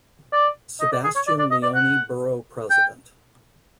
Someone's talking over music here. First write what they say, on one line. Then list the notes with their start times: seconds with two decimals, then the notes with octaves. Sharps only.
Sebastian Leone Borough President.
0.33 D5
0.81 D#5
0.92 D5
1.04 G#4
1.16 C#5
1.28 D5
1.39 D5
1.51 D#5
1.63 D5
1.75 F#5
2.70 G5